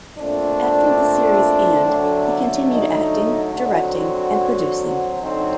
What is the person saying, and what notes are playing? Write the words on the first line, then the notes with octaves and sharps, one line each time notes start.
After the series' end, he continued acting, directing and producing.
A#2 A3 C4 D4
D3 F#3 A3
D#4
D3 F#3 C4 F#4
D3 F#3 C4 D#4